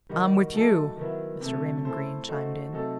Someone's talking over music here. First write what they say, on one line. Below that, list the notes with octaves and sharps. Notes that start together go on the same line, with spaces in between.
"I'm with you," Mr. Raymond Greene chimed in.
D#3 G3 D#4 F#4
F#3 A3 D#4 A4
D#3 F#3 B3 E4
C3 F#3 A3
A3 E4 A4 C5
A3 D#4 F#4 A4 C5
C3 F#3 A3 D#4 A4